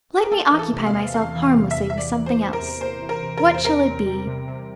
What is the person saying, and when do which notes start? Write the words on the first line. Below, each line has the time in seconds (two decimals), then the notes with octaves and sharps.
Let me occupy myself harmlessly with something else. What shall it be?
0.23 A#4
0.31 A#3 A4
0.52 E3
0.59 A4
0.73 C3
0.86 F5
0.94 E2
1.14 A#3 F5
1.36 E3
1.42 F5
1.57 C3
1.71 E5
1.77 E2
1.90 E5
1.98 A#3 D5
2.18 E3
2.26 C5
2.39 C3
2.53 A#4
2.61 E2
2.81 A#3 C5
3.02 E3
3.09 A#4
3.23 C3
3.37 A#4
3.44 E2
3.54 C5
3.65 C3 A#4
3.85 C4
4.06 G3
4.27 C3
4.48 C3